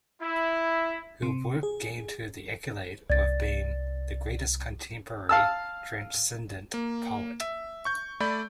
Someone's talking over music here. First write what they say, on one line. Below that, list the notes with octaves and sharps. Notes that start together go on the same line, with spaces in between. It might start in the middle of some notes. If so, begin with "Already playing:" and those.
Her work gained her the accolade of being "the greatest contemporary transcendent poet".
E4
C3
G#4
C2 D5 A6
F5 A5 E6
A#3
E5
C#6 G6
A3 D5 B5 G6